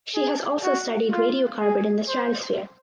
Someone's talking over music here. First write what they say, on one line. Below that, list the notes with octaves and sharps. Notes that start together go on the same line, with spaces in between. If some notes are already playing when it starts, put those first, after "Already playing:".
She has also studied radiocarbon in the stratosphere.
G#4
F#4
F4
G#4
C5